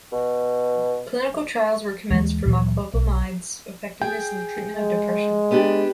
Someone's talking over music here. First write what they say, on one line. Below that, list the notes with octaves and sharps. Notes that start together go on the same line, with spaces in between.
Clinical trials were commenced for moclobemide's effectiveness in the treatment of depression.
B2
D#2 E3 G#3
D2 A#2 E3 F#3
B1
G#4 G5
G#3
B3 D4 G4